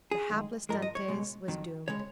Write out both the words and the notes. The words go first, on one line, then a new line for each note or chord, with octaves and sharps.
The hapless Dantes was doomed.
G#4
F#2 D#3 G#3
G#2 F3 G#3 A#4
D#5
C#5
C#2 B2 G#3
F2 D#3 F#3
C#3 G#3 C#5